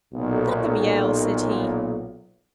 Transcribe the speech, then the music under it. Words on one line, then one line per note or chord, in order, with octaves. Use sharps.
'Let them yell!' said he.
B1 A#2